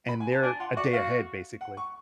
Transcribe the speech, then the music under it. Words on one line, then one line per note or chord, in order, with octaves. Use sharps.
and they're a day ahead, basically,
B5
G#5
A5
D4 G#5
F4 F#5
F#4 D5
F#4 F5
F#5
C#6